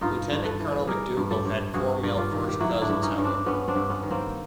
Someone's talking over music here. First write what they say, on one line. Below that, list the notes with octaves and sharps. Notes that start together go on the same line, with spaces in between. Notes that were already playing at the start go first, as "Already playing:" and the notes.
Lieutenant Colonel MacDougall had four male first cousins, however.
G2 D#4 F4
G2
A4 B4
E3
G3 G#4 A#4
G2
G4 A4
G2
G2 F#4 G#4
G2
F4 G4
D#3
G4
F#3 E4 F#4
D4 E4
G2
C#4 D#4
G2
C4 D4
G2 B3 C#4
C4 D4
G2
B3 C#4
D#3
A#3 C4